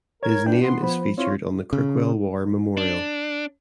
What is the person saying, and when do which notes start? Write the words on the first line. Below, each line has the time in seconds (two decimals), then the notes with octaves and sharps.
His name is featured on the Crookwell War Memorial.
0.23 A#4 C#5 G#6
0.46 D4 E4 B4 G5
0.62 B2 B3 C6
0.83 F3 C5 B5
1.18 C4 E4 F4 C#5
1.73 C#3
2.77 D4